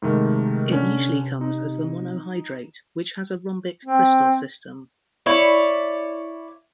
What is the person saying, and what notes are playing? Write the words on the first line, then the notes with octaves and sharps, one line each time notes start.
It usually comes as the monohydrate, which has a rhombic crystal system.
G#2 C3 D#3 A3
D3 C#4
D#4
C4
E4 C#5 D5